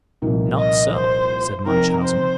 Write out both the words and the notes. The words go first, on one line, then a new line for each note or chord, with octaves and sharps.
"Not so," said Munchausen.
C2 A#2 F3 A#3 D#4
D#5
C5
C3 F3 C4 D#4 A#4
C5